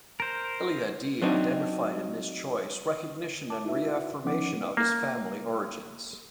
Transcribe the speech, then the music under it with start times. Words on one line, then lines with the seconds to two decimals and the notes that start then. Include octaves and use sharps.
Ilaiah d identified in this choice recognition and reaffirmation of his family origins.
0.20 A#4 C5
1.22 F#3 C4 D4 D#4 F#4
3.50 A5 D6
3.65 D#4 E4 F#4 B4 E5
4.25 F3 B3 C#4 D#4 F#5 D6
4.77 A#3